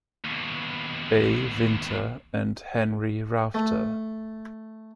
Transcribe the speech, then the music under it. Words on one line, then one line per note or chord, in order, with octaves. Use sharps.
A. Vinter and Henry Rafter.
D#2 B2
A3